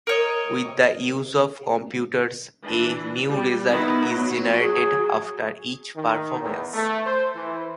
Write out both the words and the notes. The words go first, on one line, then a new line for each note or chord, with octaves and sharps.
With the use of computers, a new result is generated after each performance.
A#4 C#5 D#5
E3 D4
G3
D#3 B3 D#4 E4
F#3
G#4
D#3
E2
A3
C5
E3